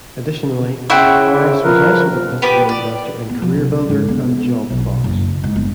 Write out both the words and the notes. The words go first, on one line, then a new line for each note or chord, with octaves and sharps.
Additionally, Barris was also the principal investor in CareerBuilder and JobFox.
C#3 E4 C5 E5 F#5 G5 C#6
F3 A#4 B4
B3 G4 B4 D6
D5
B3
F3
C2
G#2
B3
B1
F#1
G#2
G1